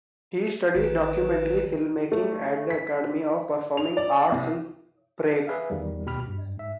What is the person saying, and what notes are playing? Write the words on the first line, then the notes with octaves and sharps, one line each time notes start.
He studied documentary filmmaking at the Academy of Performing Arts in Prague.
A1 D#3 B4
A3
B6
F7
D5
C2
G#4 B4 E5 F5
E2 D#3 G3
D2 B2 G4 B5 F6
G2
G#2 E5